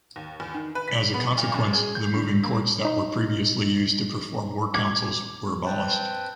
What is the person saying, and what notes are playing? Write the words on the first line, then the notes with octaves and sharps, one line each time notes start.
As a consequence, the moving courts that were previously used to perform war councils were abolished.
D#2
E2
D#3
B4
B6
B3
A#2
F#2
G#4
G6
D3
A#3
D#4
D6 G#6
C4 B4 G5 A5